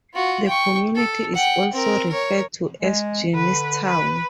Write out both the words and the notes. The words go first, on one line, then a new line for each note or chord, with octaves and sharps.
The community is also referred to as Jimstown.
F4 F#4
G5 C#6
A4
F#5 G5
C4 A#4
A#4 C#5
G#3
D3 B4
B4